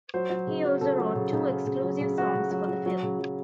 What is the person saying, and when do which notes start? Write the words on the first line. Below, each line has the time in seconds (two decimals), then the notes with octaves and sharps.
He also wrote two exclusive songs for the film.
0.14 F#3 C5
0.30 F#3
0.47 C#3
0.65 F#3
0.81 C#3 A4
0.98 F#3
1.16 C#3
1.33 C#3
1.49 C#3
1.66 C#3
1.83 F#3
2.01 C#3
2.18 F#3 F#4
2.35 C#3
2.51 F#3
2.68 F#3
2.86 F#3
3.03 C#3
3.19 F#3